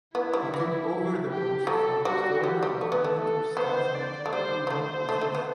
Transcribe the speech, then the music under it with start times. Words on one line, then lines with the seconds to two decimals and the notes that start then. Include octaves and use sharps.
He took over the post from former incumbent Ustaz Nik Abduh Nik Aziz.
0.15 B3 E4
0.33 G3
0.54 E3
1.29 G4
1.67 F#3 A4
2.05 G3 F#4
2.43 G3 G4
2.63 G3
2.81 A3
2.92 B3
3.04 A3
3.19 A4
3.57 B3 C5
3.95 D5
4.26 A3
4.33 G3 C5
4.67 G3
4.70 A3 C5
5.09 A3
5.21 A3
5.35 B3